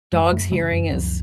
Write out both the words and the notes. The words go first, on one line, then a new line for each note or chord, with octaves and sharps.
dog's hearing is
F#2 G#3
F#2 A3
C#3 G#3
F#2
C#2 F3